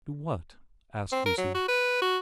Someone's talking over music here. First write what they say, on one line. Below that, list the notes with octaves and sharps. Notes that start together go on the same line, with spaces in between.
'Do what?' asked Lucy.
C4
A#4
F#3
F#4
B4
F#4